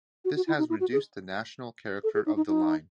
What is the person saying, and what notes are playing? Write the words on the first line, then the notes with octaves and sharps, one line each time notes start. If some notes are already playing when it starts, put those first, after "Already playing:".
This has reduced the national character of the line.
F#4
F#4
E4
D#4
E4
F#4
G#4
A4
G#4
D#4
D#4
D#4